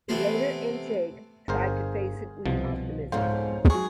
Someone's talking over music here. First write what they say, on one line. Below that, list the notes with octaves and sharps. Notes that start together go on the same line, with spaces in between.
Elena and Jake try to face it with optimism.
C3 E3 A3 B3 C4 C5
G1 G#4 A#4 C5
C2 B2 F3
F2 G#2 B2 C5 C#5 F5
F#3 G#4 C#6